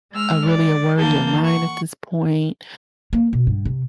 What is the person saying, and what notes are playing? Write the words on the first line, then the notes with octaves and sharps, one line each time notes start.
a really a worry of mine at this point."
G#3 E6 F6
D5
E3 A#3 A5 G6
F#5 C#6
A#3
B2
G2
C3